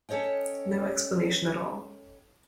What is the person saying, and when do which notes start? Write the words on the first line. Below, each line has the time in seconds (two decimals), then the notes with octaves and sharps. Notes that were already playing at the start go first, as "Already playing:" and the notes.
No explanation at all.
0.09 C#4 A4 C#5 D#5 G5